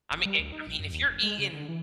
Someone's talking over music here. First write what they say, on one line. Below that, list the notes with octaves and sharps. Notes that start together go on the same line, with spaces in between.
I mean, eh I mean, if you're eating
G1
G3
D2
D#4
A#1
F#2
D#2
G1
G#3
C#3
D3
E3